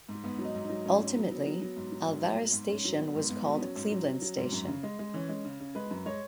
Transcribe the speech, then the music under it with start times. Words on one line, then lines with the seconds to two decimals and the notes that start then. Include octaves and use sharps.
Ultimately, Alvarez Station was called Cleveland Station.
0.09 G#2
0.24 G#2 B3
0.39 F#3
0.45 D#4
0.55 G#2
0.64 D#4
0.70 F#3
0.86 G#2 C#4
1.01 F#3
1.16 F#3 B3
1.31 F#3
1.47 F#3
1.62 F#3
1.76 G#2
1.92 F#3
2.08 G#2
2.24 F#3
2.38 G#2
2.53 G#2
2.69 G#2 C#4
2.85 F#3
2.99 F#3 B3
3.15 G#2
3.30 G#2 B3
3.46 F#3
3.55 B3
3.61 F#3 C#4
3.76 G#2
3.91 F#3
4.07 F#3
4.22 F#3
4.37 G#2
4.52 F#2
4.68 C#3
4.83 G#3
4.99 G#3
5.14 E3 C#4
5.29 G#3
5.45 C#3
5.60 C#3
5.75 G#3 B4
5.91 F#2
6.05 G#3 C#5